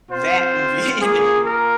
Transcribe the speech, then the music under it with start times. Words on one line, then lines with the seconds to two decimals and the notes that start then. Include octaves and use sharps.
That movie ending
0.10 C4 F4 C5
1.00 A#3 F4 G#4
1.45 A#4